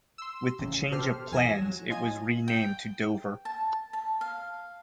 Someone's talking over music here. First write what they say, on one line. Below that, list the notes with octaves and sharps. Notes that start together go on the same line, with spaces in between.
With the change of plans, it was renamed to Dover.
C6 E6
A1 C#3
B2 G4 A4 C5 F6
E2 G#5 A#6 E7
F#3
F4 D#5 G#5 G#6
G5
A5
A5
F5